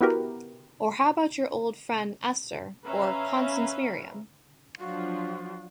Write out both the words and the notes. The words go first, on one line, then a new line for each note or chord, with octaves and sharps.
Or how about your old friend Esther — or Constance Merriam?
B3 E4 F#4 G4 A#4 B4
C#4 B4 E5 F5 A#5
F3 F#3 D4 F4 F#4